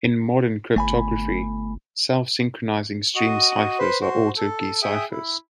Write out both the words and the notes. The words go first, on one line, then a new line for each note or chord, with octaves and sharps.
In modern cryptography, self-synchronizing stream ciphers are autokey ciphers.
G1 A3 G#5 B5
F#4 D#5
B4 C5
F#4 C5
A4
G#4 E5 G5 D#6
E4